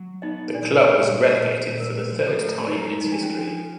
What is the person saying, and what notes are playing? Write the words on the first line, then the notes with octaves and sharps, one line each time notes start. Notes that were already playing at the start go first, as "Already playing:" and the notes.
The club was relegated for the third time in its history.
Already playing: F#3
B3 D#4 D#5
A#2 D4 D5
A#2 C#4 C#5
A#2
C5
A#2
A2 A#4
F3
A4
A2
D#4
G#3 E4
D#4
F3
D4
C#4
F3
D4